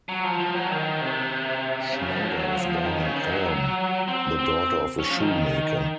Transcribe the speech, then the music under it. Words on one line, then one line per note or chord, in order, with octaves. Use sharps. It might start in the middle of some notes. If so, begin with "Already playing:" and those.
Schneider was born in Elm, the daughter of a shoemaker.
F#3
F3
F3
F#3
D#3
C3
C#3
F3
F#3
F#3
F3
F3
D#3
C#3
D#3
F#3
C4
C4
C#4
F3
D#3